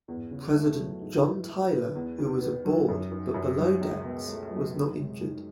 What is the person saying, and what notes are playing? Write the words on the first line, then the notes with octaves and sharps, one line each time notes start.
President John Tyler, who was aboard but below decks, was not injured.
E2
C#3
A3
F#3
G#2
E3
E4
B3
E2
D#3
B3
F#3
F#2
D#3
F#2
F#3
C#2
B2
A3
F#3
D#3
G#3
D#3